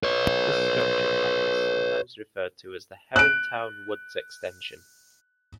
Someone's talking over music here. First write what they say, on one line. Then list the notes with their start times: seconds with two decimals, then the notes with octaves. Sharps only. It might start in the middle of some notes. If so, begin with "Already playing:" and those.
This stretch of land is sometimes referred to as the Herrontown Woods extension.
0.03 B4 C#5
3.16 F#6 D7